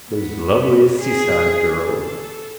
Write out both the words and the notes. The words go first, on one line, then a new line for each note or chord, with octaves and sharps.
Those lovely seaside girls.
B3
G#4
A4